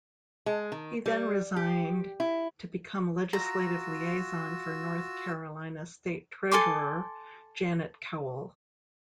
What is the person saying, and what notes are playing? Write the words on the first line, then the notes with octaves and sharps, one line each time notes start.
He then resigned to become legislative liaison for North Carolina State Treasurer Janet Cowell.
G#3
D#3
G3
G4
E4
F4 F#4 A#5 E6
A4 G#5 C6 D6